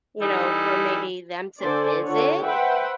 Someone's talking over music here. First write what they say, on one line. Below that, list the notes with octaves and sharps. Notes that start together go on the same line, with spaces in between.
you know, for maybe them to visit.
E3 G3 D#4 G4 A4
D3 A4 C5 D5 G#5
D3 F4 C#5 F#5
B4 C5 E5 F#5 G5